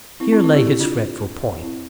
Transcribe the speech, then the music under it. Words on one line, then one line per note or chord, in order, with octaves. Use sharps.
Here lay his fretful point.
C4 E4
C4 E4
C4 E4
E4 G4
E4 G4
D4 F4
C4 E4